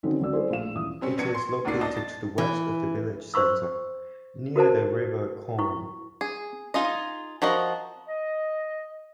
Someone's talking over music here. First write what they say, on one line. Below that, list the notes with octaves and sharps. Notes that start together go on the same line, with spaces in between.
It is located to the west of the village centre, near the River Colne.
D3 D#3 F#3 C4 C#4 D#4
C#2 D3 F#3 D5 E6
G3 E4 G#4 A4 C5 D5
A#1 A2 F4 F5 E7
D#1 E3 D#6
G3 C4 C#4
A#1 B3 G#6 C#7
C6
G#1 D2 A#2 A#3 D4 C7
D4 D#5 A5
A6
E3
C5 C6 C#6 E6
F#4 A#4 C5 A5
E4 C#6
G#4
D#4 F4 G#4 D#5
F3 F#4 A#4 D#5
D#5